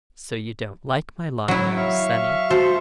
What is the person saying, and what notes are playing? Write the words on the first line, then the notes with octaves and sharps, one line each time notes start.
'So you don't like my long nose, sonny?
F#3 E4
E5 F5 C#6
F#4 A4 C5